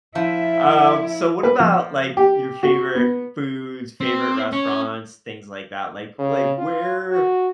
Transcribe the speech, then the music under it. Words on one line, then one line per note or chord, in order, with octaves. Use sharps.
um, so what about, like, your favorite foods, favorite restaurants, things like that, like like, where
F3 E4 E5
B4
F3
G4
F#4
B3
C4
C#4
C#3
F4
F#4